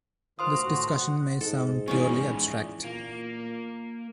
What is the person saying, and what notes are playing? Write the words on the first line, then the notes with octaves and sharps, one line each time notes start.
This discussion may sound purely abstract.
D#3 F4 C5 F5 C6 D#6
D2 F#4
A2 D3 F#4
F#5
G#2 A4
E3 F3 B3 C#4 G#4
A#2 A#3